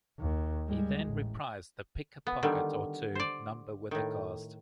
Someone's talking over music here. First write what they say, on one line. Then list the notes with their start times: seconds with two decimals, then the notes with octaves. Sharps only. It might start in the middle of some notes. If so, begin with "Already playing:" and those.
He then reprised the "Pick a Pocket or Two" number with the cast.
0.19 D#2
0.68 G3 G#3
1.06 A1
2.27 B3
2.43 D3 D#3 G3
3.15 C5 D5
3.91 A2 D#3